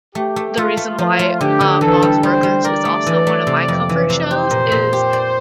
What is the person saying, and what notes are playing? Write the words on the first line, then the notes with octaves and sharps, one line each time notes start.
the reason why, um, Bob's Burgers is also one of my comfort shows is
A3 G4
A3
A3 F4
A3
F3 F4
A3
D3 G4
D3
E3 A4
G3
G3 C5
G3
A#4 D5
A3
E3
A3
C3
F2
E3
C3
G4 C5
A#2
A#2
G4
D5